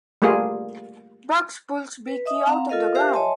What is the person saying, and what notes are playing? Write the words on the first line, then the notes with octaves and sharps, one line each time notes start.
Bugs pulls Beaky out of the ground.
G3 A3 A#3 F4 G#4
B4
D#5 E5 D#6
C4 F5 F#5 A#5
F4 A4 A#4 D#5 F5
G4 A#4 C5 E5 F5
C#5 D#5 E5 G#5 A5 C6